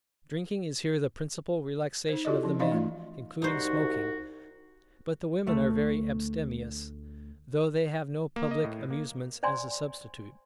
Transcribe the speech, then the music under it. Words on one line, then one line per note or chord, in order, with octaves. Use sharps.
Drinking is here the principal relaxation of the men, including smoking, but the women are very abstemious, though they have no public amusements as a substitute.
D#4 C5
E4 F#4 G4 A4 D5 D#5
F3 C#4
E3 D#4 D5 D#5 F5 C6
A3 F4
C2 D#4 F#4 C5
D2 A3
A#3
D#5
A2
A#3
C5 D5 G#5 A#5 C6